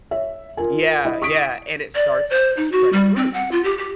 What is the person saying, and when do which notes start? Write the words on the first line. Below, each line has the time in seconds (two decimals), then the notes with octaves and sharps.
Yeah yeah, and it starts spreading roots,
0.11 C#5 E5
0.57 F4 A#4 G#5
1.05 E4 D#5
1.22 C#6 D#6 B6 D7
1.95 D5
2.30 C5
2.57 D#4
2.72 F#4
2.93 G3
3.16 C4
3.34 F#5
3.52 F4
3.64 G4
3.78 G4